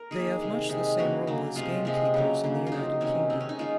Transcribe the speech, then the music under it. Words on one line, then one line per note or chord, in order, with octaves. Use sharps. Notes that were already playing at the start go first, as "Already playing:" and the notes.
They have much the same role as gamekeepers in the United Kingdom.
Already playing: A#4
D#3 A#3 G#4
C3 D#3 G#3
C3 D#3 G#3
C#3 F#3 A#3 F#4
C#3 F#3 A#3
C3 F3 G#3 F4
C3 F3 G#3
C#3 F#3 A#3
C#3 F#3 A#3
F4
C3 D#3 F#3 D#4
C3 D#3 F#3 C#4
D#3 G#3 C4
C#4
D#4
D#3 G#3 F4